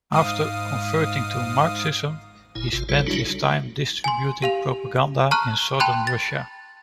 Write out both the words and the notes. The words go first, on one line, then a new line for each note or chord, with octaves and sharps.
After converting to Marxism, he spent his time distributing propaganda in southern Russia.
G#2 F5 D#6
F#1 A#2 E4 G#5
G#1 C3 F4
A#1 C#3 G3 F4 A4 C#5
F#3 G3 D4 E4 F#4
G#5 C6
G4 F5 F7
A5 A#5 C#6 F6 F#6
G5 A5 B5 C6 F#6
A6